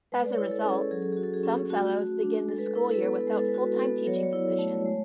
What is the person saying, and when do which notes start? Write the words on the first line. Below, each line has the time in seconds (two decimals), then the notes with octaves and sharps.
As a result, some Fellows begin the school year without full-time teaching positions.
0.12 G#3 B4
0.26 D5
0.32 C#5
0.38 E4
0.51 A4
0.64 C#4
0.71 G#4
0.81 A4
0.91 F#3 G#4
1.02 A4
1.12 F#4 G#4
1.23 A4
1.34 G#4
1.44 C#4
1.70 A3 F#4
1.96 F#4
2.23 D4
2.48 G#3 A4
2.58 B4
2.67 A4
2.75 E4 B4
2.85 A4
2.94 B4
3.02 B3 A4
3.13 B4
3.21 A4
3.27 G#3 B4
3.39 A4
3.49 B4
3.54 F#4 A4
3.67 B4
3.76 B3 A4
4.07 F#3 C#5
4.16 D5
4.23 C#5
4.33 E4
4.59 A3
4.85 G#3